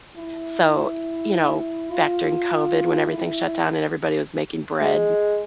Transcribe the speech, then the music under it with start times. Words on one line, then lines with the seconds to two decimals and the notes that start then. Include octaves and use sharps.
So, you know, back during COVID when everything shut down and everybody was making bread.
0.17 E4
1.91 F4
3.07 E4
4.81 G#3